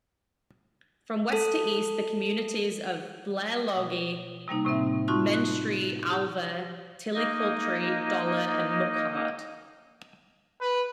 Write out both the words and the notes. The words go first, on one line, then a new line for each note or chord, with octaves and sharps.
From west to east the communities are Blairlogie, Menstrie, Alva, Tillicoultry, Dollar and Muckhart.
A4
B2
C3 G3 A#3 D#4
A2 C3 C4 E5
D#4 F4 F#4 A5 C6 C#6
F#6
G4
A#3 D#4 D#5
B4